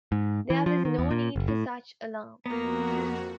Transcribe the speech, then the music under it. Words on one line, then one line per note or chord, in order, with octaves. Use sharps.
There was no need for such alarm.
G#2
E3
F3
D#3
E2
A#2
F#1
A2
F2 A#3 B3 F#4 A#5